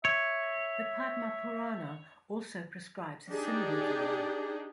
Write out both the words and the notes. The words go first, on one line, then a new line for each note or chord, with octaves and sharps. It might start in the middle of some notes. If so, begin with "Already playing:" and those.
The Padma Purana also prescribes as similar view.
C#5 E5
D4 D#4 G4 G#4